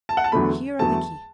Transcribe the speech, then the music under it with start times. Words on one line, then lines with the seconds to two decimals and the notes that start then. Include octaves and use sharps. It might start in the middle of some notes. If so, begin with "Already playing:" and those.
Here are the keys.
0.09 A5
0.17 F#5
0.24 A5
0.32 E2 D3 F#3 A3 B5
0.79 E2 D3 F#3 A3 A5